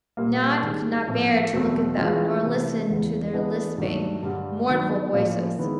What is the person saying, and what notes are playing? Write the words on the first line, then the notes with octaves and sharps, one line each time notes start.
Nod could not bear to look at them nor listen to their lisping, mournful voices.
A#2 G3 A#3
G#2 D#3 G3
A2 F3 A3 C4
E2 B2 F#3 A3 C4
E3 G#3 C#4 F4
C3 E3 A3
E2 C#3 E3
E3 G#3 B3 D4
G2 D#3 F#3 A3 D4
G2 D3 G3
D#3 F#3 B3 D4
A2 F3 A#3 C#4 F4
D#3 G#3 B3 E4